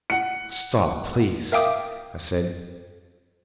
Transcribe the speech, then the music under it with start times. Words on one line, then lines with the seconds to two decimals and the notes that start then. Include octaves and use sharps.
"Stop, please," I said.
0.10 F#5 C#7
1.52 A#4 E5 F5 G5 D6 D#6